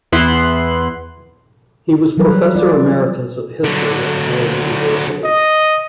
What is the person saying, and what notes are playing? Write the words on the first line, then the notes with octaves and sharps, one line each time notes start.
He was professor emeritus of history at Howard University.
E2 B3 E4 C6 F#6
E3 F#3 G3 A#4 B4
F4 D5
D3 F#3
D#5